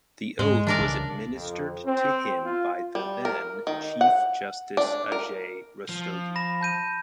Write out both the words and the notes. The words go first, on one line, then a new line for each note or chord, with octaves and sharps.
The oath was administered to him by the then Chief Justice Ajay Rastogi.
G#2 G#3
E3 D4 A#4 D5
C2 C#3
F2
C4
F4
G3
A#4
D#3
F#5
D4
A#4
F3
B5 A#6 E7
A5 G6 D#7